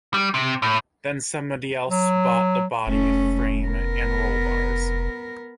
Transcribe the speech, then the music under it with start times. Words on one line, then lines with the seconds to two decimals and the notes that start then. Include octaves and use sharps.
Then somebody else bought the body, frame and roll bars.
0.14 G3
0.34 C3
0.62 A2
1.88 F#3
2.86 F1 A3 C#4
3.62 B3 A#4